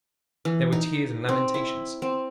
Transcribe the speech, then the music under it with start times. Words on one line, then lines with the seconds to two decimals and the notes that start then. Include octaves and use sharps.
There were tears and lamentations.
0.45 E3
0.72 D#4
1.29 C4
1.54 E4
2.02 C4